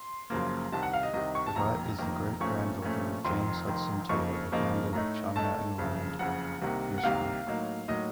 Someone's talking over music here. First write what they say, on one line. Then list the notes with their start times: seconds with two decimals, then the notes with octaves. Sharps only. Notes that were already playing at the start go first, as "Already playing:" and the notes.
Previte is the great-granddaughter of James Hudson Taylor, the founder of China Inland Mission.
Already playing: C6
0.30 F#1 F#2 C#3 F3 A#3
0.72 C2 C3 D#3 A5
0.83 F#5
0.93 F5
1.03 D#5
1.14 C2 C3 D#3 D#5
1.35 C#6
1.46 A5
1.56 F1 F2 D#3 A#3 A#5
1.98 F1 F2 D#3 A#3
2.40 A#2 F3 A3 C#4 C#6
2.82 A#2 F3 A3 C#4
3.25 F1 F2 D#3 C6
3.66 F1 F2 D#3
4.09 F2 C#3 F3 A#3 D#4 C#6
4.52 F2 C#3 F3 A#3 D#4
4.93 A2 A3 D#4 A#5
5.36 A2 A3 D#4 A5
5.78 F#1 F2 C#3
6.19 F#1 F2 C#3 F#5
6.62 C2 C3 D#3 A#3
6.98 F#5
7.04 C2 C3 D#3 A#3 F5
7.47 A2 F#3 A#3 D#4
7.88 A2 F#3 A#3 D#4 D#5